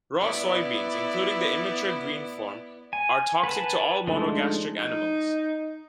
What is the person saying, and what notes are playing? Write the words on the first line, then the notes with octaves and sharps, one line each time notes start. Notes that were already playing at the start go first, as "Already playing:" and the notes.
Raw soybeans, including the immature green form, are toxic to all monogastric animals.
B3 E4 D5
G#5
B4 F#5 G#5 A5
F3 G#3 A3 D4 D#4
D#4